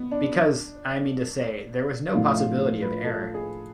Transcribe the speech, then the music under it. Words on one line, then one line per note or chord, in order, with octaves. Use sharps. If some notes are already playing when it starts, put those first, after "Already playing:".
Because, I mean to say, there was no possibility of error.
Already playing: B3
D4
A2 F3 A3 D4 F4
F4
B4
A4
G#4